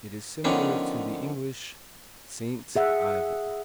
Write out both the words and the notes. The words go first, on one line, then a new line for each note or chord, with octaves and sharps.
It is similar to the English Saint Ivel.
D3 D#3 F3 B3 C#4 D4
G#4 E5 F#5